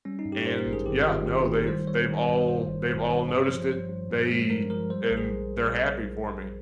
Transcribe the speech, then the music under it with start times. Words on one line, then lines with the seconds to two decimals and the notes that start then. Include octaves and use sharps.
And yeah, no, they've they've all they've all noticed it, they and they're happy for me.
0.05 G3 C#4
0.19 D#4
0.25 G2
0.32 G4
0.46 G2 C5
0.59 A#4
0.66 G#1
0.73 G#4
0.86 G#1 G4
1.06 D#3 F4
1.26 D#3 G4
1.40 G#4
1.47 D#3
1.54 A#4
1.67 G3 C5
1.87 G3 C#5
2.08 D#3
2.28 G2
2.48 G2 C5
2.68 G1
2.88 G2 C5
3.08 D#3
3.29 G2 C5
3.37 C#5
3.44 C5
3.49 F3
3.69 G2
3.89 G2
4.10 G2
4.30 G#3
4.50 G2 A#4
4.70 F3 A#4
4.90 G3 C5
5.04 A#4
5.11 A#1
5.17 G#4